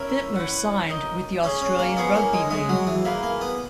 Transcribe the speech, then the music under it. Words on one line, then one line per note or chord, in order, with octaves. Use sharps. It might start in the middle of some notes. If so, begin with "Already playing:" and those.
Fittler signed with the Australian Rugby League.
Already playing: C#4 E4 A#4 E5
E4 B4 F#5
D#4 A#4 D#5
C#4 G#4 D#5 G#5
C#4
A#3
B3 C#4 E4 G#4 C#5
A#3
G#3
G#3 B3 E4 G#4
F#3
E3
A#3 E4 G#4 B4
A#3
B3